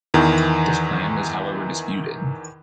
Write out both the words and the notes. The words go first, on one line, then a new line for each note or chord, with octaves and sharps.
This claim is however disputed.
E2 D#3 E3